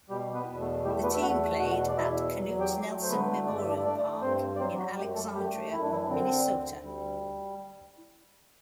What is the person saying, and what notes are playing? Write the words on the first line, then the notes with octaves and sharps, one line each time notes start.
The team played at Knute Nelson Memorial Park in Alexandria, Minnesota.
B2 G3 G4
B3 B4
E2
A3 A4
G3 A3 G4
B3 B4
E5
E2 F#4 F#5
B2 F#4 F#5
D5
E2 E4 E5
F#3
G4 G5
A3
C5
D3 B3 B4
G2 D5
E5
D4 D5
A3 D4 D5
G2 C4 C5
D5
F#3 C4 C5
F#3 F#4
F#2 G3 G4
A3 A4
G3 A3 G4
F#2 E4
D4
E3 E4
D3 C4
D2
G3